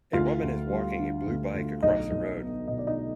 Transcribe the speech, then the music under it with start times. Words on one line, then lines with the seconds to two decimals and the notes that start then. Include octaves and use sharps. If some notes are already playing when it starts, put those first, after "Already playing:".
A woman is walking a blue bike across a road.
0.13 D2 F4 F5
0.42 D2
0.70 G3
0.98 D3
1.26 D2
1.54 D2
1.83 B1 D#4 D#5
2.12 B1
2.40 B3
2.68 B2 D#5
2.78 D5
2.87 D#4 D#5